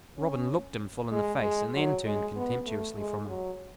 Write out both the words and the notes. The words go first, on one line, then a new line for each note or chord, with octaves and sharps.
Robin looked him full in the face, and then turned contemptuously from him.
C#4
G#3
G#3
F#3
G#3
B3
A3
G#3
F#3